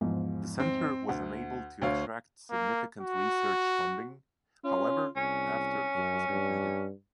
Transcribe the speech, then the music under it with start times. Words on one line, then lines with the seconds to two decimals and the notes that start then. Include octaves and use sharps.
The center was unable to attract significant research funding, however, after it was completed.
0.01 E2 G#2 F3
0.60 C4
1.09 D2 F#5
1.82 D2 C#5 F5
2.51 A#3
3.01 F#4
4.64 C#4 F4
5.16 C2 C#4
5.95 F#2
6.29 G2